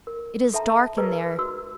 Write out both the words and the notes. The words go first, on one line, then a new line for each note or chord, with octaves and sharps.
It is dark in there.
A#4
A4 E5 G5 A5 A#5
G#4 A#4 B4 D5 D#5 A#5
F#4 E6